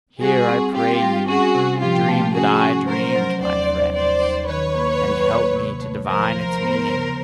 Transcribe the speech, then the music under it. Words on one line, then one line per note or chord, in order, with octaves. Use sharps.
Hear, I pray you, the dream that I dreamed, my friends, and help me to divine its meaning!
G3 F#4 G#4
C4
C4 F4 G4
G3
C#4 F#4 G#4
C3
F3 F4 G4
A3
C#4 F#4 G#4
C#4
F#3 A#4 C5
F#3
D#2 C5 D5
D#2
D#2 C5 D5
D#2
D#3 B4 C#5
A#3
F#3
A#3
C3
A3
F3 A#4 C5
F3
B3
C#3